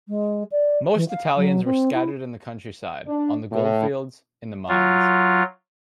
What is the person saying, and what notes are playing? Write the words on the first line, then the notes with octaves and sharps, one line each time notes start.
Most Italians were scattered in the countryside, on the goldfields, in the mines.
G#3
D5
E3
F5
F#3
C4
E4
D4
A2
F#3 F4